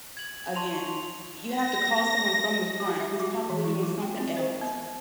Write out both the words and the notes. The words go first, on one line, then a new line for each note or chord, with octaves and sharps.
again, you have to call someone from the front who's probably doing something else
G#6 F#7
A5 C6 C#6 F7
A#6
G4
E5
F#4
E3
E4
F4
G5
C4
C5
B3